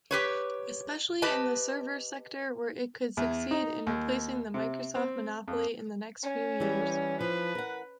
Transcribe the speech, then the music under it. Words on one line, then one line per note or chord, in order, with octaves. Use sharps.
Especially in the server sector where it could succeed in replacing the Microsoft monopoly in the next few years.
G4 B4 C#5
G4 B4 D#5 A5
E2
D#4
D#2
C3
C4
F2
C#4
E3 G3
F3 B4
A#4 F#5